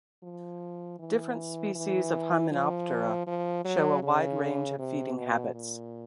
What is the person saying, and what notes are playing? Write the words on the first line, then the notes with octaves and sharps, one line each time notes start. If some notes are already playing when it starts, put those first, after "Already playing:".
Different species of Hymenoptera show a wide range of feeding habits.
F3
E3
E3
F3
F3
F#3
C#3
C3
B2
A#2